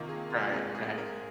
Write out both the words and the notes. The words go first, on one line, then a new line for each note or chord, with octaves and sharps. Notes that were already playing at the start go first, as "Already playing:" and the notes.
Right, right.
Already playing: C3 D#3 A#3 D#4 F4
G#4
F4
G#2 G#3 C4 D#4 G#4
G#4
A#4